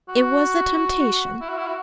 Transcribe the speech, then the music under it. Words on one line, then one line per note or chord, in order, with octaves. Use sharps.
It was a temptation.
F#4
E4
F#4
E4
F#4